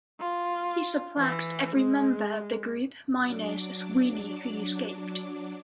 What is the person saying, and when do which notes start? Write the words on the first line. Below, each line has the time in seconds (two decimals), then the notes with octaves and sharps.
He suplexed every member of the group minus Sweeney who escaped.
0.21 F4
1.18 E3
1.76 G#3
3.17 F#3 D4 D6